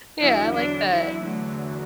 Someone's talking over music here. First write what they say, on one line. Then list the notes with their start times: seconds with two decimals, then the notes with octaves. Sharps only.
Yeah, I like that.
0.20 E2 D3 F#3 E4
0.55 D4
0.91 E4
1.26 A3